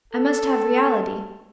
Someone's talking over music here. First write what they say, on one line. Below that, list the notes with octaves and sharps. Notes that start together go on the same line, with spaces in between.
I must have reality.
A4